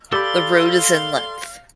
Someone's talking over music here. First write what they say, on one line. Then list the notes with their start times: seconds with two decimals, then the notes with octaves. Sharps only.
The road is in length.
0.13 G4 A4 D5 F5 B5 C6